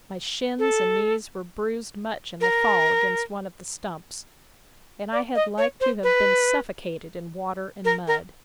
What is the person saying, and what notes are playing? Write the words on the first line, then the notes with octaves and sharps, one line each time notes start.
My shins and knees were bruised much in the fall against one of the stumps; and I had like to have been suffocated in water and mud.
A4
A#4
D5
D#5
C#5
C5
B4
A#4
A#4